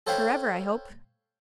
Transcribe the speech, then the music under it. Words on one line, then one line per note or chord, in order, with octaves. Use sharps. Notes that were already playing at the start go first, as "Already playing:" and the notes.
Forever, I hope.
A4 C5 C#5 F5 G5 B5